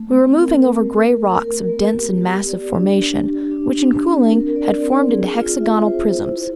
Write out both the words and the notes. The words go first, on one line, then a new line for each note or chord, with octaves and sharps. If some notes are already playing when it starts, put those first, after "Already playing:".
We were moving over grey rocks of dense and massive formation, which in cooling had formed into hexagonal prisms.
Already playing: A3
C4
A#4
A3
A#4
A#4
A#4
B3
G4
G4
D5
D4
D4
G4
D4
D4
C4
A#4
D5
C4
G#4
F4
E5
C5
E4
E4